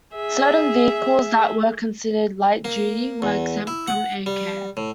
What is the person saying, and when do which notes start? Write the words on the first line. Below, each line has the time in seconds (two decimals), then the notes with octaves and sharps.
Certain vehicles that were considered light-duty were exempt from AirCare.
0.14 G#4 E5
2.65 A#3
3.22 E2
3.67 E4
3.88 F#5
4.26 G3
4.77 A2